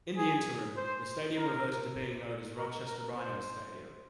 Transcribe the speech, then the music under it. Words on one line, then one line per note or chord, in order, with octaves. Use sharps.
In the interim, the stadium reverted to being known as Rochester Rhinos Stadium.
G#4
C5
A#4
A#4
A#4
C5